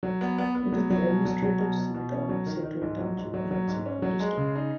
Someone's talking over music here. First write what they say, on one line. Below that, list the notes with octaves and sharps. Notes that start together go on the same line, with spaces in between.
It is the administrative seat of Sittwe Township and Sittwe District.
F#3
B3
B3
B3
F#3
F#3
B2
F#3
F#3
B2
B2
B2
C#4
F#3
D#3
D#3
G#2
F#3
G#2
F#3
F#3
G#2
C#4
F#3
G#3
C#3
D#4